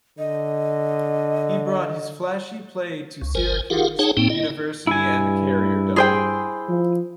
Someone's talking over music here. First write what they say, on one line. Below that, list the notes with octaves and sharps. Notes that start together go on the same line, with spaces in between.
He brought his flashy play to Syracuse University and the Carrier Dome.
D3 D#5
C#2
G1 A#4 C5 G#5
F4 G4 G#4 A#4 F5 F#5
D#4 G#4 C#5 F#5 G5 A5
A2 A#3 C4 D#4 G5
E4 D#5
G2 E4 G#5
G#4 C5 G5
F3